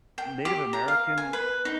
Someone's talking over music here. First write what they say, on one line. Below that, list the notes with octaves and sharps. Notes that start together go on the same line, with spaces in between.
Native American
G5
G4
A#5
F5
G#5
B4
D#4